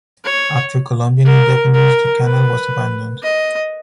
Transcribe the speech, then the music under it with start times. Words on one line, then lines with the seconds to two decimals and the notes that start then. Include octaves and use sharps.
After Colombian independence, the canal was abandoned.
0.24 C#5
1.24 A#4
1.73 A#4
2.24 B4
3.23 D#5